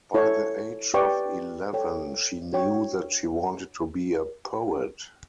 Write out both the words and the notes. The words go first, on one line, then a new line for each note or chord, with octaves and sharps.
By the age of eleven, she knew that she wanted to be a poet.
E4 A4 C#5
G4 B4 D5 G5 C#6
A4 C#5 G5
D4 F#4 C#5 G5 C#6